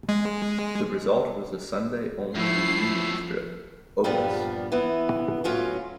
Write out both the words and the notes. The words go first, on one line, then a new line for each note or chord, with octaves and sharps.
The result was the Sunday-only reunion strip, "Opus".
G#3
F#2 F3 A3 E4 C7
G2 A#2 F3 G3 B3
E3 B3
A2 F#3 C#4 F4